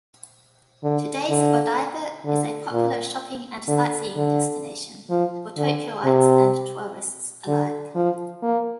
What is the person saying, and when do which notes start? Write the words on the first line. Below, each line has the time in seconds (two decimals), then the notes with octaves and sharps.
Today's Odaiba is a popular shopping and sightseeing destination for Tokyoites and tourists alike.
0.83 D3
1.30 D3
2.25 D3
2.73 A#2
3.67 D3
4.16 D3
5.10 F3
5.57 D3
6.05 C3
7.47 D3
7.95 F3
8.43 A#3